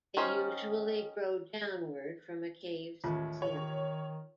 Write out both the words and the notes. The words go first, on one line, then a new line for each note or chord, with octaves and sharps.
They usually grow downward from a cave's ceiling.
D#3 C#4 C5
A1 D#2 F4
D#3 C#5